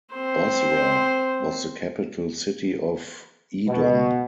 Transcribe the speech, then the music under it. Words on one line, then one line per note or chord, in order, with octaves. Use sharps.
Bozrah was the capital city of Edom.
C4 C5
B2